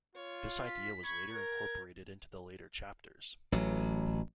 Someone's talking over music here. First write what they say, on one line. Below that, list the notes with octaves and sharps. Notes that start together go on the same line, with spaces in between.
This idea was later incorporated into the later chapters.
F4 C#5
B6
B5 C#6 G#6
A#4 G#6
A1 F#3